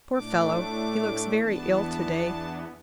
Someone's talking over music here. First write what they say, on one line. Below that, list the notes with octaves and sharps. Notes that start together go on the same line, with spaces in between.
Poor fellow, he looks very ill to-day.
A2 A3 D4 D6
E2 E3 B3 D4 A5